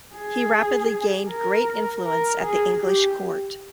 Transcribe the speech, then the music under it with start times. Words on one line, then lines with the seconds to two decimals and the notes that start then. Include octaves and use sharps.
He rapidly gained great influence at the English court.
0.16 G#4
1.29 A#4
2.04 A#4
2.41 G#4
2.80 G4